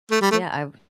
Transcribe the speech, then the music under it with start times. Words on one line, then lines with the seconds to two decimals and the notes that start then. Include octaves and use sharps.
yeah, I've
0.11 A3
0.22 G3
0.31 A3